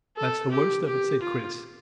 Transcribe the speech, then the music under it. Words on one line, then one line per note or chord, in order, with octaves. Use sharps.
"That's the worst of it," said Chris.
A4
G4
G4
F4